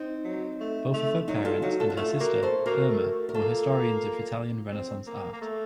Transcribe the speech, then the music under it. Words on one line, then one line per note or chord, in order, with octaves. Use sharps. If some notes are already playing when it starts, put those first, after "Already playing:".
Both of her parents and her sister, Irma, were historians of Italian Renaissance art.
Already playing: C4 D#4
F#3
A3
A3
F#3 D#4 F#4
F4 A4
F#3 D#4 F#4
F4 A4
F#4
A3 F4 A4
A#3 F#4 A#4
A3 A4 C5
A#3 F#4 A#4
A3
A3
A#4
A#3 F4 A4
C4
A#3
A#3
A3